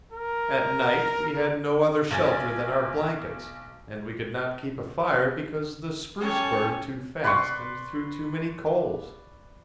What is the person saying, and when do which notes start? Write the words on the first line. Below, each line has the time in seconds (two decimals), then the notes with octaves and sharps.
At night we had no other shelter than our blankets, and we could not keep a fire because the spruce burned too fast and threw too many coals.
0.12 A#4
2.11 B1 G#5 A6
6.20 C#4 G4 A4 C#5 G#5
7.24 B4 D5 C6 C#6